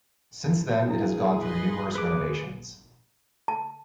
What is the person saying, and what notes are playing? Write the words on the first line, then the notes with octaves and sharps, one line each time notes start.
Since then it has gone through numerous renovations.
D4 E4 G#4
B4 D#5 C6
G#3 B4 D6
A5